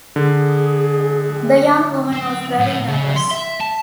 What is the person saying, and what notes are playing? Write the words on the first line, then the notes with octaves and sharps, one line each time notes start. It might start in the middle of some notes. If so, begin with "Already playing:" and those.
The young woman was very nervous.
D3 G#4
C4
A2
C#3
C6
E5
A5